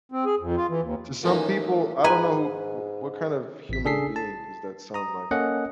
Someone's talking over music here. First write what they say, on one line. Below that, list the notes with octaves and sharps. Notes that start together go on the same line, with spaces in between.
To some people, I don't know who wh what kind of human being does that sound like
C4
G#4
F2
F4
E3
D#2
A2 E3 A#3 C#4 D#4 E4
G#2 B4 G#5 A#5
A1 B6
C#3 D4 G#4 A4 B6 C7
A5
A#5 D#6
A#3 C#4 A4 D#5 F#5